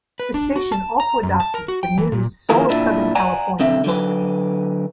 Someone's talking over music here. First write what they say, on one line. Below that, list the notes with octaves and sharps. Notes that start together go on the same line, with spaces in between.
The station also adopted the new "Soul of Southern California" slogan.
B4
D4
F#4
A5
A#5
F#2
A5
A#4
F#4
G5
E3
A#2
D#3 F3 A#3 E4 G#4 A#4
A#2 D4 E4
D5 F#5 G#5 A#5
B1 D3 C4 E5
D3 F#3 B4